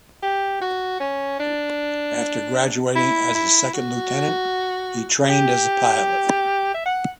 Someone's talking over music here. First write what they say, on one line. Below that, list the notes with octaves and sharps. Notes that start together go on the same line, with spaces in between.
After graduating as a second lieutenant, he trained as a pilot.
G4
F#4
C#4
D4
E4
E4
F#4
G4
E5
F#5